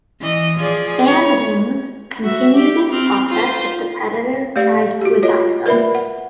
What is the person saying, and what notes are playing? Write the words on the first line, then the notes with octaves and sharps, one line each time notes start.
Bandwings continue this process if the predator tries to attack them.
E3 D#5
F3 G#4 D5
C#5
F#4 E5
G4
C4 F6
F4 C5
A3 G4 D5 F5
F#4 G4
F4 C#5 D#5
A#4 B4 D5 E5 B5
F#5